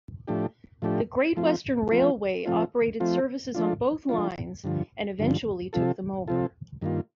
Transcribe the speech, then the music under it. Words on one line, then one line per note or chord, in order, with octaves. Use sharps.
The Great Western Railway operated services on both lines and eventually took them over.
A2 F3 A3 D4 G4
A2 F3 A3 D4 G4
F3 A3 C4 F4
F3 A3 C4 F4
F3 A3 C4 F4
F3 A3 C4 F4
F3 A3 D4 F4
F3 A3 D4 F4
G2 D3 F3
G2 D3 F3
C3 F3 C4 F4 A4
C3 F3 C4 F4 A4
G2 D#3 A#3 F4